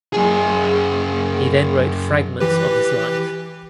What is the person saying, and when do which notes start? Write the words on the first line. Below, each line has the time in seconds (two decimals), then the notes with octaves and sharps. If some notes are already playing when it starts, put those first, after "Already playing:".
He then wrote fragments of his life.
0.13 F#2 G#4
2.40 E3 G4 B4